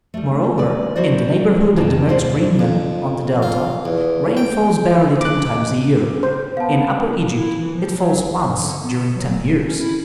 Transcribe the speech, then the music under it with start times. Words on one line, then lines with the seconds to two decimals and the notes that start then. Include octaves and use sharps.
Moreover, in the neighborhood of the Mediterranean, on the Delta, rain falls barely ten times a year; in Upper Egypt it falls once during ten years.
0.14 G3 A3
0.58 A#4 B4 D5
0.96 F#3 E4 F#4 C5 D5
1.77 F2 D#3 G3 A#3 D4 A5
2.09 D2 B2 D3 F4 C5 D5
2.59 F2
3.42 F4
3.85 E2
4.37 G5
5.21 D#2 G#3 D6 F#6
6.23 C5
6.57 B3 F5 A5
7.36 E4
7.57 E3
7.74 F3
7.96 F#3
8.18 A#1
8.46 G2
8.60 D3
8.84 B3
9.16 F#3
9.30 D#1
9.67 C#4
9.79 E4